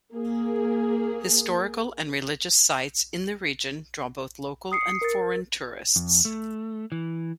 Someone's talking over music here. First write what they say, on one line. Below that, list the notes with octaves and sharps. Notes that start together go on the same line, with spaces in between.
Historical and religious sites in the region draw both local and foreign tourists.
A#3 G#4
D#6 C7 C#7
A#4 A6
F2
A3
E3